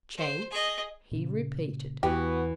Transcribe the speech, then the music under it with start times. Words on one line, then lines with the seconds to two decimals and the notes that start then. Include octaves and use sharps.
"Chance?" he repeated.
0.18 C5
0.51 G#4 D#5
1.11 A#2 C#3
2.03 E2 E3 B3 F#4 G4